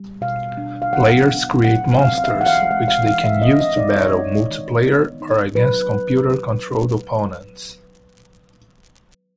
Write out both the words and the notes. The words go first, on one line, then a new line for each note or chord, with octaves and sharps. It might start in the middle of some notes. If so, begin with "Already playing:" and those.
Players create monsters, which they can use to battle multiplayer or against computer-controlled opponents.
Already playing: G3
B2 F5
D4
F5
F#3 F#5
B3
F#3 F#5
C4 F5
F5
E5
E3
F#5
F5
G#3 F#5
F5
E3 F5
E5
C4 D#5
D#5
D#4 D5
C#5
G#3
D#3
B3
D#4
F#3 B4